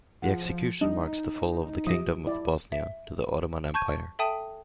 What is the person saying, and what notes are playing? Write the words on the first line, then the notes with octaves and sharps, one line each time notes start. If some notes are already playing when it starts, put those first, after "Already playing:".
The execution marks the fall of the Kingdom of Bosnia to the Ottoman Empire.
F3 G#4 F#5
G3 D4 D#4 D#5
F3 F#3 F4 G4 D#6 A#6
E4 D5
E5
A5 C#6 G6 G#6 D#7
A4 E5 G5 A5 D#6 D#7